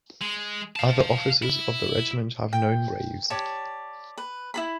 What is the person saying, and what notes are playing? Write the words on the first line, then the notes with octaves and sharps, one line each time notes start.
Other officers of the regiment have known graves.
G#3
F5 A5
E4
G5
G4 C#5 D5 A5
B4
E4 G#4 B5